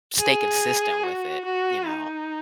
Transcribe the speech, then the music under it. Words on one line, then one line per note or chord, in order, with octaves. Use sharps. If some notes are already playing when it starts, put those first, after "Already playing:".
stay consistent with it, you know.
G#4
F#4
F#4
D#4